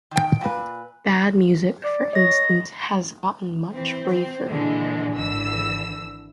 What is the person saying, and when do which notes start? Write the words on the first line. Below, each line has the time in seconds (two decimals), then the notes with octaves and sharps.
Bad music, for instance, has gotten much briefer.
0.11 D#3 G5
0.41 A#2 B4
1.84 D5
2.13 C#5 D#5 A#6
3.71 E3 C4
4.13 C4
4.48 A#2 D3 E3 G#3
5.15 G#1 D3 E3 E6